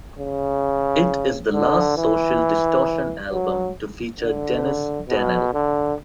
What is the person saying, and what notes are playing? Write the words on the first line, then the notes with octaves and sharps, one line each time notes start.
It is the last Social Distortion album to feature Dennis Danell.
C#3
D3
E3
F#3
D3
B2
D3